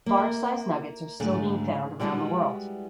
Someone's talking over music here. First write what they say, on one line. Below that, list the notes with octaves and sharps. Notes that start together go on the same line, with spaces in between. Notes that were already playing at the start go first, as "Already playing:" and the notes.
Large size nuggets are still being found around the world.
A#3 E5
G#2 D3 G#3 A3
G3 G#3 B3 E4 F#4 B4